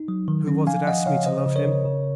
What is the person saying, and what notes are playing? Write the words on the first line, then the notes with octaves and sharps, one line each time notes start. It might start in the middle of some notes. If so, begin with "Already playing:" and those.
"Who was it asked me to love him?"
Already playing: D#4
F#3
D#3
C#4
F3 F5 G#5
F3 D#5 F#5
C#3 C#5 F5
C#3 C5 D#5
C#3
A#4 C#5
C#3
C#3